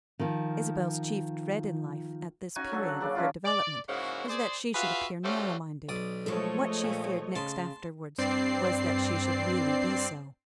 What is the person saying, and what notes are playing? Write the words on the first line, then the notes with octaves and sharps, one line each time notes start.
Isabel's chief dread in life at this period of her development was that she should appear narrow-minded; what she feared next afterwards was that she should really be so.
D#3 F3
C#4 D#4 F#4 G#5
D3 F#3 A4
F#5
C#3 F#3 A#3 D5
C#4 D4 E4 F4
D5
G#2 C#3 A#3 C#4 E4 F#4
G#4 C5 D5
F4 F#4 G#4 B4 E5 F5
G3 A3 C4 C#4 F4 F#4
B1 D5 D#6
F3 G#3 A3 A4 C#5 D#5
A#2
C#3 A5 C6
G2 C4 D5 C7